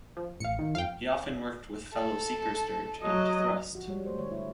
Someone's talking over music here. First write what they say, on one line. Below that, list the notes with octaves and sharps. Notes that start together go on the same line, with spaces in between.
He often worked with fellow Seekers Dirge and Thrust.
F3
A1 F5 C#7
D#3
F2 F5 G5
A4
F#3 D#5
F3 F#4
G3 G#3 C#5
A3 C5
D3 C#5
E4